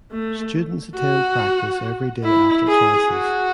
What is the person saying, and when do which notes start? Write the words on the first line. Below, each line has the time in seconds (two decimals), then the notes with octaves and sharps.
Students attend practice every day after classes.
0.11 A3
0.96 F#4
2.24 E4
2.67 G#4
3.10 F#4